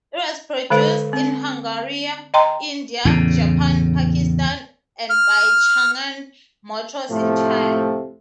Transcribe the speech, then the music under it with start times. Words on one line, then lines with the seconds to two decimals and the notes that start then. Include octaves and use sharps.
It was produced in Hungary, India, Japan, Pakistan and by Chang'an Motors in China.
0.70 D3 G#3 A4 C5 F5
1.13 C4
2.34 D#5 G5 A#5 C6
3.05 E2 A2 C#3
5.10 F6
7.11 A2 C3 F3 A3